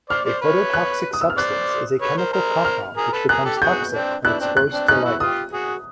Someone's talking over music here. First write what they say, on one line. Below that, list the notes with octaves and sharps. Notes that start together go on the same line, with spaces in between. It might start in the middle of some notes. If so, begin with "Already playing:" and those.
A phototoxic substance is a chemical compound which becomes toxic when exposed to light.
C5 D5 F6
C5 D5
B4 C#5
F#6
D#6
E6
F6
C5 D5 F#6
B4 C#5
A#4 C5
A#4 C5
F6
G#4 A#4
A4 B4
G#4 A#4 F#6
G4 A4
G4
F#4 G#4 G6
C4 D4
D4 E4 F#6
C4 D4
F#6
C4 D4
C#4 D#4 F#6
E4 F#4
F4 G4 D#6
F#4 G#4